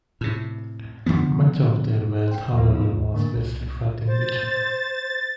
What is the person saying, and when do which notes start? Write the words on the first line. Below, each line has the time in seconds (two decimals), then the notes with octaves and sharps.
Much of their wealth, however, was wasted fighting each other.
0.21 A2 C3
1.06 D3 E3 F3 B3
2.27 C5 G5
2.53 D#2 F3 B3
2.75 C3 F4
2.92 D#2
3.12 A2 D3 A#3
3.35 C2
4.07 C5 A6